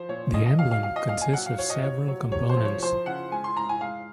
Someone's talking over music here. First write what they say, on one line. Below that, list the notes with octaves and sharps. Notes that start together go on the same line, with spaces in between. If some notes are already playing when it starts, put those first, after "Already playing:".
The emblem consists of several components.
Already playing: F3 C5
A#2 C#5
C#3 D#5
D#5
F#3 F5
F5
F#3 F5
D#5
A#2 F5
G#5
F#3 F#5
F5
F#3 C#5
D#5
C3 C#5
F#3 C#5
C3 C#5
C5
F3
C#5
F3 C5
C#3 F#5
G#3 G#5
C6
G#3 A#5
G#5
G#3 F5